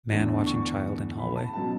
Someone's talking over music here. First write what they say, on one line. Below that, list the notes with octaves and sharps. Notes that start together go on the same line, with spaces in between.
Man watching child in hallway.
E2 D3 A3 D4
C#6
B5
A5
B2 F#3 C#4 A5